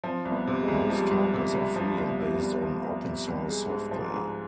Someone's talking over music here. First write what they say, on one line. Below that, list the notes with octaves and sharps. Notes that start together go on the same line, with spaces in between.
Most talkers are free and based on open source software.
F3 C4
C2
B3
C3
G#3
C2
F3 G3
C2
C3 G3
C2
F3 G3
C2
B3
C3
B3
C2
F3
C2
C3
C2
G#3
G#2
F3
G#2